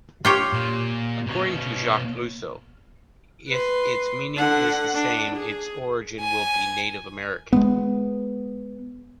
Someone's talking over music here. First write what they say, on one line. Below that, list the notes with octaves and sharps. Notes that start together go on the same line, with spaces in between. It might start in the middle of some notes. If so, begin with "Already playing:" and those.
According to Jacques Rousseau,if its meaning is the same,its origin will be Native American.
F4 G4 C#5
A#2
B2 C#4
B4 C6
D3 F#5
D4
G#4
G#5
G#3 A3 B3